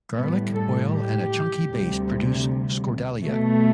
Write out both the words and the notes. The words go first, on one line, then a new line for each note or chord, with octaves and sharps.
Garlic, oil, and a chunky base produce "skordalia".
A2 G3 B3
A4
G4
D2 C3 G3
B2 A3